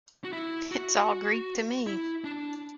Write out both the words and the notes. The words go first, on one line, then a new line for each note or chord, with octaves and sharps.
It's all Greek to me.
F#4
E4
F#4
E4
D4